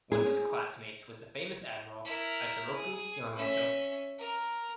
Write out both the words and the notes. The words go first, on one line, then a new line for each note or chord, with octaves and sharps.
One of his classmates was the famous admiral Isoroku Yamamoto.
G#4
E4 A#4
G#4
C#4 E5
A#4